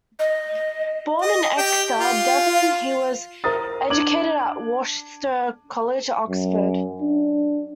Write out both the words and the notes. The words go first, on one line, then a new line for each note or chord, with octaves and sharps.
Born in Exeter, Devon, he was educated at Worcester College, Oxford.
D#5
D#5
G4 G5
F4
A#4 C5 E5 A#5 D#6 A6
D4 D6 G#6 F#7
F#2
D4